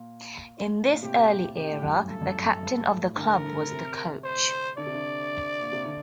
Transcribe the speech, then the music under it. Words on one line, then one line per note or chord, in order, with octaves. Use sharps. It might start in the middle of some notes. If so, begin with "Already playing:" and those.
In this early era, the captain of the club was the coach.
Already playing: A#2
A2
A#2
C3 G4
C3 G4
A2
F#2
G2
G2 A4
F#2
F#2
G2
A2
D3 A#4
D3
D3
C3
C5
D3 D5
C3
D3
A#2
C3
D3